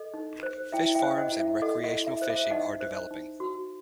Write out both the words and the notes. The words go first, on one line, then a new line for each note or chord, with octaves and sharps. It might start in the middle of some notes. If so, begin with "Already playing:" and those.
Fish farms and recreational fishing are developing.
Already playing: A4 D#5
D#4
C5
E4 E5 G5
E5 G5
C5
D#5 F#5
E4
E5
A4 D#5 F#5
D#5 F#5
E4
E5
C5
E5
E5
D#4 D#5 F#5
C5
D#4
F#4